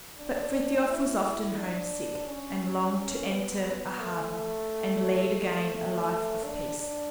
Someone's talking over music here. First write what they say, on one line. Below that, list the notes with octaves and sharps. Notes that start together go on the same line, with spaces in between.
But Frithiof was often homesick, and longed to enter a harbor, and lead again a life of peace.
D4
E4
D4
C#4
C#4
B3
A3
A3
A3
D4
D4